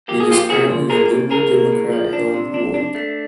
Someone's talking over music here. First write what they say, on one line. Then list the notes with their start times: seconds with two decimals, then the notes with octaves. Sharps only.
It is currently a Liberal Democrat held ward.
0.08 A#3 G4
0.20 G#4
0.29 F3 F4 G4
0.49 A#3 F#4 G#4
0.69 F3
0.90 A#3 G#4 A#4
1.10 A2
1.31 A2 G#4 A#4
1.52 A#3
1.72 A2
1.92 F3
2.13 D4
2.34 C3
2.54 D4
2.74 D4
2.95 A3